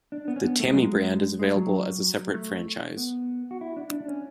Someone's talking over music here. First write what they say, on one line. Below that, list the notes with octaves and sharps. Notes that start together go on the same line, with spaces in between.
The Tammy brand is available as a separate franchise.
D4
B3
C#4
B3
A3
G#3
F#3
G#3
G#3
F#3
A3
B3
F#4
E4
D4
D4
C#4